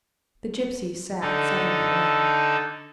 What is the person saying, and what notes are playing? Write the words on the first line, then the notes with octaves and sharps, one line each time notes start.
The gipsy sat suddenly erect.
D3 D#4 A4